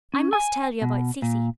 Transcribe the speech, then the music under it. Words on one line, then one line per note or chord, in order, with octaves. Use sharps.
I must tell you about Cecy.
C#4
G#5
B2
A#2